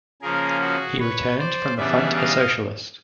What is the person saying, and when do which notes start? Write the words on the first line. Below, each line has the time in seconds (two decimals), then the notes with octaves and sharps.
He returned from the front a socialist.
0.22 C#3 F3 A#3 C#4 G#4 A#4
0.61 F#4 G#4
1.00 B4 C#5
1.39 C5 D5
1.78 C#3 E3 G3 B3 D4 D5 E5
2.17 D#5 F5